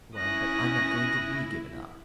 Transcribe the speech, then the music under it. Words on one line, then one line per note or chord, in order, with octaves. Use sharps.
"Well, but I'm not going to be given up."
C#4 E4 D#6 F#6 A#6